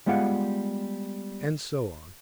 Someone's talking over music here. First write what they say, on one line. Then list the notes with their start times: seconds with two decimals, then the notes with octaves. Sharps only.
And so on.
0.06 G3 G#3 B3 F4 F5 F#5